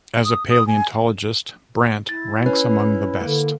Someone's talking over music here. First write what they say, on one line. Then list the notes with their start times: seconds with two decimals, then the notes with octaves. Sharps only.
As a paleontologist, Brandt ranks among the best.
0.25 D#6
0.50 D#6
0.67 G#5
2.09 E4 A6
2.46 C#4 B4
3.21 D3 A#3